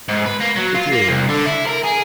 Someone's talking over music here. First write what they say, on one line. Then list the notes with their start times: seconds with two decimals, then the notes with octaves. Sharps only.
It is.
0.08 G#2
0.26 B4
0.40 A#3
0.56 F#3
0.75 F4
0.92 A#3
1.08 C2
1.29 D3
1.46 E4
1.67 A#4
1.84 G#4